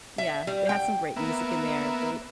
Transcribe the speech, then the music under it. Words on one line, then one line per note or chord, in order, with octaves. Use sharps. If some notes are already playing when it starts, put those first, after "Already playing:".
Yeah, they had some great music in there, great
E5
G3
G5
A#3 B3 E5